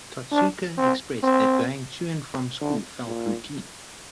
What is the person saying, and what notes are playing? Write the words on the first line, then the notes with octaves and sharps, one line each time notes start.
Totsuka expressed that going to and from school felt routine.
D4
C4
C4
D3
A#2